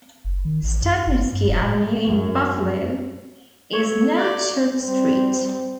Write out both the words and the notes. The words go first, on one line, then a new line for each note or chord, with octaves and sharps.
Stadnitski Avenue in Buffalo is now Church Street.
F#1
D#3
A1
F#2
G1
G2
F1
A2
F#2
A4 C#5
D5 F5
G3 C4